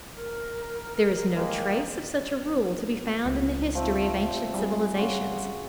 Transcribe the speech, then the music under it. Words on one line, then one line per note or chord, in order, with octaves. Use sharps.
There is no trace of such a rule to be found in the history of ancient civilizations.
A#4
D#3 G#3 A#3
C#2
F3 A3 C4
G3 G#4 B5
C#3 F#4 C6